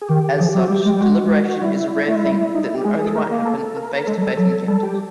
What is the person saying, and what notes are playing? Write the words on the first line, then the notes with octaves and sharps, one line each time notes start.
As such, deliberation is a rare thing that only might happen in face-to-face encounters.
G#4
D#3 G4
F3 G#4
G4
F#3
F#4
G3 G4
G#3
G3
G#3 F#4
G3 E4
A3
G#3
G3
D#4
E4
G4
G#3 G#4
A4
A3 A#4
A#3
A4
A#4
A#4
G#3 A4
F#3
G3 A4
F#3 A4
G3 A4
G4